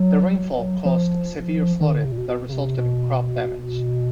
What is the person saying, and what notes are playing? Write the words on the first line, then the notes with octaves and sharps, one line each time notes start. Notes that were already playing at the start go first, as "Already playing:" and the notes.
The rainfall caused severe flooding that resulted in crop damage.
Already playing: F#3
F3
D#3
D3
C3
A#2
B2
B2
C#3
C3
B2